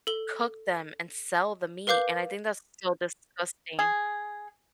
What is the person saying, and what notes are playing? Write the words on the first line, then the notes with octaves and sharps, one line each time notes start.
cook them and sell the meat, and I think that's so disgusting.
A4 G7
A#4 B4 F5 D6 G6
G#4